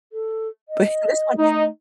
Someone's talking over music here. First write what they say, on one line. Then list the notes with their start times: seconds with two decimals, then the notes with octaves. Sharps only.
but in this one,
0.13 A4
0.69 D#5
1.38 A3 D#4